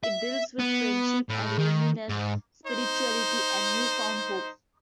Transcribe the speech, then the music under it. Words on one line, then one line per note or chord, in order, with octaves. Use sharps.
It deals with friendship and loneliness, spirituality and newfound hope.
E5
B3
A2
D#3
G#2
D#4 C5